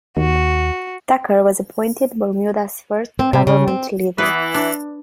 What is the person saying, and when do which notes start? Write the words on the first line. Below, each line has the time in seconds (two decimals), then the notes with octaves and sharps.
Tucker was appointed Bermuda’s first Government Leader.
0.17 D#2 F#4
3.19 C4
3.33 C3
3.47 C#3
3.68 C4
4.18 E3 B3 B4
4.54 D4